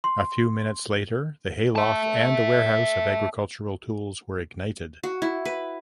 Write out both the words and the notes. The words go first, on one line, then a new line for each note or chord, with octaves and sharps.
A few minutes later the hayloft and the warehouse of agricultural tools were ignited.
C6
E5 A5
F#4
E4
B4